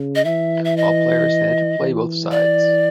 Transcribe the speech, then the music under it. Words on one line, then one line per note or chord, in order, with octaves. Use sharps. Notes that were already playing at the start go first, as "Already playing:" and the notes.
All players had to play both sides.
Already playing: C#3
D#5
E3 E5
E5
D#5
E3
D5